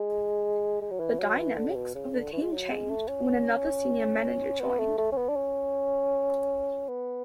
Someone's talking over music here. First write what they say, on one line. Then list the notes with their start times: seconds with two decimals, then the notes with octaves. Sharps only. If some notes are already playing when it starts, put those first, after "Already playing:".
The dynamics of the team changed when another senior manager joined.
Already playing: G#3
0.82 G#3
0.91 F#3
1.00 E3
1.20 F#3
1.38 E3
1.57 D3
1.69 C#3
1.75 B2
1.95 C#3
2.14 D3
2.33 E3
2.42 G#3
2.52 F#3
2.71 G#3
2.90 A3
3.08 C#4
4.60 B3
4.79 A3
4.98 A3
5.12 C#4
5.17 B3
5.29 D4
5.36 C#4
6.88 B3